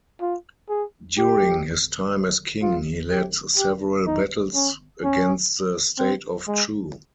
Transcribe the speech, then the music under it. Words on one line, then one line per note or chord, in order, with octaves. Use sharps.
During his time as king he led several battles against the state of Chu.
F4
G#4
G4
F4
G4
G4
D#4
C#4
C#4
C4
G#3